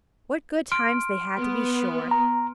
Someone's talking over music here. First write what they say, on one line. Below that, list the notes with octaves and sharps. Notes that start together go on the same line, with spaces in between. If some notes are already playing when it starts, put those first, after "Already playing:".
What good times they had, to be sure.
C6 F6 D7
B3
A#5